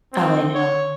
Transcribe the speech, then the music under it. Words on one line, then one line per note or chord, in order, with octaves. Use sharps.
Oh, I know,
C4
C#5